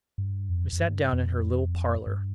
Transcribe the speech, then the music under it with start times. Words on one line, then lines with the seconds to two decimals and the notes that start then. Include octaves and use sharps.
We sat down in her little parlour.
0.18 G2
0.49 F2
0.73 F2
0.81 G2
1.13 F2
2.07 G2